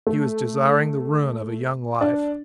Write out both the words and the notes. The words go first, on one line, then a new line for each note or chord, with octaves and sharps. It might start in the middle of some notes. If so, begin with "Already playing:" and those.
He was desiring the ruin of a young life.
A3
D4